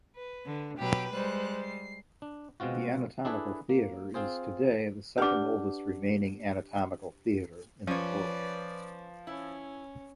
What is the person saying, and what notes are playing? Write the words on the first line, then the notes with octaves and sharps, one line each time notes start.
The anatomical theatre is today the second oldest remaining anatomical theatre in the world.
B4
D3
B2 F#3 G4 B4 D7
G3 G#3 C5 F#6
C7
D4
B2 G#3 C4 F4 F#4
D4 E4 G#4 A4 B4 D5
A#3
C4 F4 G#4 C5
D4 D#4 G4 B4 D5 F#5 D6
F3 C#4 B4 C#5 D5
C#4 E4